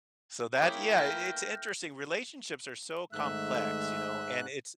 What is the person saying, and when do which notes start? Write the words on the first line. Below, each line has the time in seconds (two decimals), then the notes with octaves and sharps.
So that yeah, it's interesting. Relationships are so complex, you know? And it's
0.61 A#3 C#4 E4 G4 G#4 G5
0.97 A3 B4 F6 G6 A#6
3.13 G#2 D#3 G#3 A3 E5 F#6